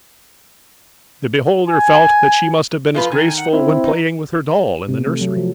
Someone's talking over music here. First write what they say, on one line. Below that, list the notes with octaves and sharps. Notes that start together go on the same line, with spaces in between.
The beholder felt that she must have been as graceful when playing with her doll in the nursery.
G#5
F3 F4 B4
D#3 G#5
F#5
C4 E4
D#4
C3
A3
F#3
F3